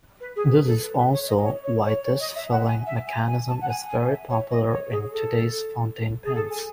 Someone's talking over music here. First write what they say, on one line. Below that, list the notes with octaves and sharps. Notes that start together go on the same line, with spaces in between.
This is also why this filling mechanism is very popular in today's fountain pens.
B4
G#4
B4
A4
B4
B4
C#5
D#5
C#5
C#5
C#5
C#5
D#5
E5
F#5
G#5
E5
G#5
G#5
A5
F#5
G#5
G#5
E5
C#5
D#5
C#5
G#4
A4
G#4
A4
G#5